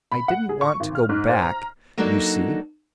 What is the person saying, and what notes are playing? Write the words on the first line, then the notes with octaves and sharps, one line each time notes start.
I didn't want to go back, you see....
B5
F#5
G#4
C#6
G#1
F6
G#2
C5
A#5
F#3 A#3 D4 D#4 F#4 A4